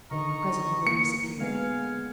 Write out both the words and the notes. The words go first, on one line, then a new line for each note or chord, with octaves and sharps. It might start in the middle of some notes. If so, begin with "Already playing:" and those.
Presently Louise appeared.
D3 D#3 D#5 A#5 C#6
A#3 C#7
G#3 B3 F5 G#5